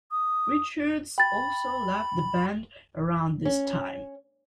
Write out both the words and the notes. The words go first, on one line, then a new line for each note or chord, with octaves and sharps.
Richards also left the band around this time.
D#6
G5 B5 A6
C#4